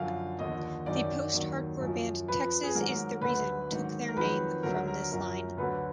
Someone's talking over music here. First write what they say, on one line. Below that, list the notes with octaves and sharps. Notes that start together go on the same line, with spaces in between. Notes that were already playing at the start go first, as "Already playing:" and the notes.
The post-hardcore band Texas Is the Reason took their name from this line.
Already playing: F#2 D3 F3 F5
D#2 D3 F3 D#5
F#2 D#3 F#3 D5
D#2 D#3 F#3
F#2 F3
F2 F3 B4
G#4
G#2 D#3 F#3 A#4
D2 D3 F#3 B4
G#2 D#3 F#3
A#4
F2 D#3 F#3 B4
D2 D3 F#3 A#4
A#4
F#2 F3 A#4
D2 D3 F#3 B4